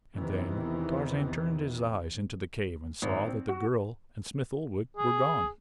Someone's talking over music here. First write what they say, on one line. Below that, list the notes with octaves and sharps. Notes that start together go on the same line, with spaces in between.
And then Tarzan turned his eyes into the cave and saw that the girl and Smith-Oldwick were gone.
E2 C3 D#3 E3
G#1
C4
F#4
G#4